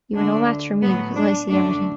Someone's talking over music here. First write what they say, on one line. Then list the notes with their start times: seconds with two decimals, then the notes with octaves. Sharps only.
You are no match for me because I see everything.
0.14 D2 D3 A3 D4
0.81 A2 F#3 A3 B3
1.15 D4
1.48 F#2 D3 A3 D4